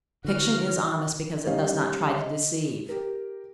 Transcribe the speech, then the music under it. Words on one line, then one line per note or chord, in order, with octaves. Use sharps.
Fiction is honest because it does not try to deceive.
D3 E3 F#4 F6
G3 C#4 D#4 C5 D#5 F5
D#5
G4 A#4